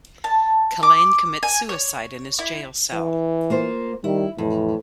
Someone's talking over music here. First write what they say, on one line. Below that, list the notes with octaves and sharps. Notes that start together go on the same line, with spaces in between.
Kalain commits suicide in his jail cell.
A5
D6
G#5
C#5
E4
E3
A#3 F4 C5
D#3 G3 E4
F2 A2 E3